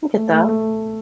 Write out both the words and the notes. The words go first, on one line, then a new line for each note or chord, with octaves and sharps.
I get that.
A3
A3
A3